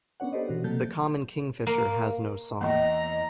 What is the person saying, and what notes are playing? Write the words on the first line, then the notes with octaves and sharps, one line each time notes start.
The common kingfisher has no song.
B3 C#4 D4 C#5 F#5
G4 A4 B4 C5 D5 D#5
B2 E3 F#4
C3 F#3 A#3 A4 G6
A#3
E2 A#3 B3 D#5 A#5